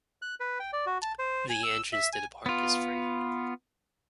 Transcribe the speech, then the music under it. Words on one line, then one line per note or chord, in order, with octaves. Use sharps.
The entrance to the park is free.
F#6
B4
G5
D5
F#4
A5
C5
G#5
E6
E5
G#5
B3 F4